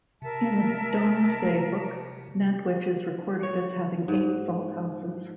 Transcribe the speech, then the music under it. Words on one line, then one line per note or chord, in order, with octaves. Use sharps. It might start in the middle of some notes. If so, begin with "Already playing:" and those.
In the Domesday Book, Nantwich is recorded as having eight salt houses.
C3 A#4 E5 A5
C#5
G#2